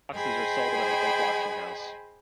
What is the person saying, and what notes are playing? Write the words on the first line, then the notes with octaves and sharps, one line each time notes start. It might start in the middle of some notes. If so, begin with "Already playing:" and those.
The boxes are sold at a local auction house.
G#4 C5 D#5 G5 G#5 B5